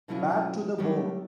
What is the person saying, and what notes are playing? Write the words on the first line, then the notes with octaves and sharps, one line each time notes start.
Bad to the bone.
B2 D3 F#3 C#4 E4 F4
F#3 G3 A3 B3 E4 G4